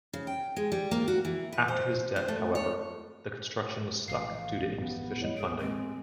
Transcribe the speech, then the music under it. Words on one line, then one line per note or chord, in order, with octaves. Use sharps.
After his death, however, the construction was stuck due to insufficient funding.
C#3
G5
G#3
G3
A#3
F#4
E3
B4
C5
C5
A3
C#5
A#1 A2 E3 F5 C7
B3
F2 E4 C#5 D#5
A1 G#4 D#5 D7
G#3 C4